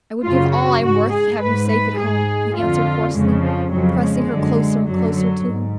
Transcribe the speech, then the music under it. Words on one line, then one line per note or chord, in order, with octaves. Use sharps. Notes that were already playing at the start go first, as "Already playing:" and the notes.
"I would give all I am worth to have you safe at home," he answered hoarsely, pressing her closer and closer to him.
F#2 C#3 F4
F#4
G#2 F#4
G#4
G#2 B4
B4
G#2 G#4
F2 D3 F4
F2 C#3 G#3
F3
F2 C#3 F#3
G#3
F#2 D3
F#2 D3 F#3
F#3
G#2